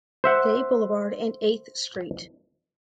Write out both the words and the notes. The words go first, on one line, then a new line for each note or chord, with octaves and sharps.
Day Boulevard and Eighth Street.
C5 E5 F#5